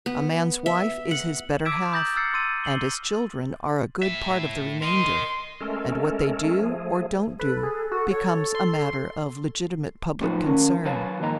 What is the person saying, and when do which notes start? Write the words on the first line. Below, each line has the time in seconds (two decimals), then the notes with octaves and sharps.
A man's wife is his better half and his children are a good part of the remainder, and what they do or don't do becomes a matter of legitimate public concern.
0.06 B3
0.66 E5
1.11 F#5
1.65 D6 E6 G#6 B6 D7 E7
1.92 A#5 D#6 G6 A6 A#6 F#7
2.16 E6 F6 G#6 A6 C7 C#7
2.34 C6 E6 G#6 A6 D#7
2.64 C7 D#7 F#7 G7
4.03 A2 E5
4.83 A#4 D#5 C6
5.61 G#3 A3 C#4 A4 A#4
6.61 F3 A3 G#4
7.39 A4 B4
7.63 G#4
7.92 F#4
8.11 A4 C#5
8.55 C6
10.21 A2 F3 F#3 D#4 F4 B4
10.46 D#3 C#4 A#4
10.85 F#3 B4 C#5 F5 G#5 A5
11.19 F2 G#2 D#3 A#3 D#5 A#5